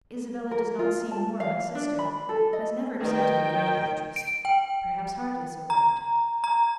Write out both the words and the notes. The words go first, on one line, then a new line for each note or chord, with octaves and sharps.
Isabella does not seem more my sister; has never excited a greater interest; perhaps hardly so great.
A#4
F4
A5
F5
D4
B5
A4
D#5
D#3 A3 B4 G5
D7
G5
A#5
A#5